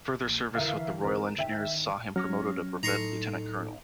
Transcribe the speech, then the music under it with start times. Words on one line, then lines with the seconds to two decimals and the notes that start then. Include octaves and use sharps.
Further service with the Royal Engineers saw him promoted a brevet Lieutenant-colonel.
0.24 A#1
0.55 D3 E3 A#4 E5 F5
1.03 C4 A#4
1.39 D#3 E5 G5
2.16 F#3 C#4 C#5 F6 A#6
2.83 A2 D#4 A4 A#5 C6 C#6